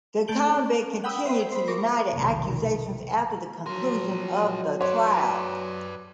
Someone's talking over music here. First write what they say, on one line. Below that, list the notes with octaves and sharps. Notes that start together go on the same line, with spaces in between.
The convict continued to deny the accusations after the conclusion of the trial.
A3 A5 G6 D7 F#7 G7
C#4
F#5 G5 B5 D#6 E6
C5 E5
C5 B5
A#4 A#5 C#6 D6
F1 B1 D#3
F3 F#3 A#4 C6
B4 C#5 D5 C6